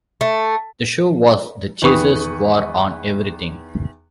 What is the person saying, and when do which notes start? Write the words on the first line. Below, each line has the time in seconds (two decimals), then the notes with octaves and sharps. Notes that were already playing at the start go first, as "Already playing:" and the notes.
The show was "The Chaser's War on Everything".
0.21 A3
1.82 E2 D#3 B4 G5 C#6 D#6